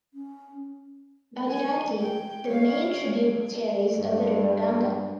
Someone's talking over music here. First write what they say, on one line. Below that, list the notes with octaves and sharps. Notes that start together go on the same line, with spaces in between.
Bhagirathi the main tributaries of the river Ganga.
C#4
G#5
G5
C#5 F5
G2